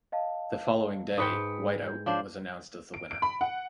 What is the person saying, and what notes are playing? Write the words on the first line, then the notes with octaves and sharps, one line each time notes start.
The following day, White Out was announced as the winner.
D#5 F5 A5
G#2 B4 G5 D#6 C#7
G6
F3 D4 C5 C#5
D7
D7
B5
F#5